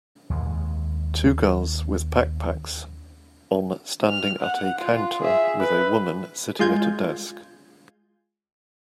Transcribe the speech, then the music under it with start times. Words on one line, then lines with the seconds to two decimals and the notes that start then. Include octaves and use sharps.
Two girls with backpacks on standing at a counter with a woman sitting at a desk.
0.30 D#2 G#3
4.09 F6
4.40 F#5
4.78 F4
5.22 G#4 E5
5.60 B4
6.59 G#3 F4 G6 G#6